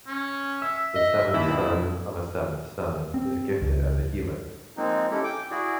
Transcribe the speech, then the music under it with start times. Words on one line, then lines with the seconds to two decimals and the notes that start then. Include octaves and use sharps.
The seventh son of a seventh son is gifted as a healer.
0.07 C#4
0.62 E5 E6
0.96 D#5
1.34 D#2 E4
1.48 B2 D4 E4
3.14 C4
3.61 C#2
4.77 F3 G#3 A#3 C4 D#4
5.11 G#3 C#4 E4 G4 A4
5.24 G5 D6
5.51 E4 F#4 G#4 D5